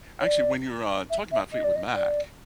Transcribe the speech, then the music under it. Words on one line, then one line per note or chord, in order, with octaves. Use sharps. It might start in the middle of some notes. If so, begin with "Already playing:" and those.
Actually, when you were, uh, talking about Fleetwood Mac,
C#5
D5
E5
E5
D#5
D5
D#5
D5